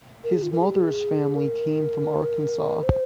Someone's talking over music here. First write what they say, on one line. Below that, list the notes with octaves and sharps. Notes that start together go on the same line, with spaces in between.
His mother's family came from Arkansas.
A#4
G#4
F4
A#4
G#4
G4
G#4
A#4
C5